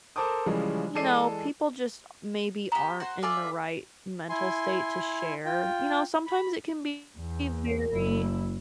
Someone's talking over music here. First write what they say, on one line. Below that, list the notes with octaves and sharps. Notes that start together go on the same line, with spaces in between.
you know, people just maybe aren't in the right mental state to share. You know, sometimes it can be very
A4 A#4 C5 A5 D6 D#6
C#3 E3 F3 G3 G#3 C#4
E3 G#3 A4 D5 C7 D#7
B3 G4 A#5
F#4 C5
F4 A4 D5 E5 G#5
F5
E4 G#5 C6
F4 G5
B5
E2
F#1 E4